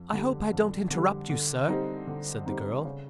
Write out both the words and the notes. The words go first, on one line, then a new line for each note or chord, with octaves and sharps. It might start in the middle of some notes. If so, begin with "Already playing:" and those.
"I hope I don't interrupt you, sir," said the girl.
Already playing: F2
D3 G3
F2
D3 G3
D3
G3 C4 D#4
D3
G3 C4 D#4
C#3